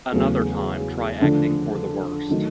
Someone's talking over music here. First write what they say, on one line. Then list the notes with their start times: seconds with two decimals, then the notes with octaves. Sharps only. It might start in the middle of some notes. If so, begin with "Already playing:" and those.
Another time try acting for the worst.
0.12 E2 C#3 F#3 A3
1.21 D3 F3 A3 D4
2.30 D#3 F#3 A3